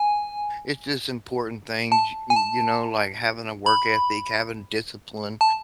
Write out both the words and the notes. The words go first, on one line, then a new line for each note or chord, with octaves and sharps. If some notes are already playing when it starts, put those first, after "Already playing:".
it's just important things, y y you know, like having a work ethic, having discipline,
Already playing: G#5
A5
G#5
A5
B5
A5